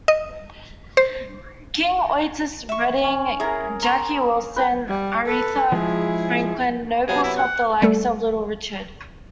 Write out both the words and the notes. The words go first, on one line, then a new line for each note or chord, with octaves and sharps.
King, Otis Redding, Jackie Wilson, Aretha Franklin; Nobles helped the likes of Little Richard.
D#5
C5
E5 C#6
C#4
E4 G#4 A#4 A#5
A#5 C6 C#6
B4 G5 A#5
G3
A4 B4
F3 G#3 E4 G#4
C3 F#3 B3 G#4
E4
F#5
G3 A3 A4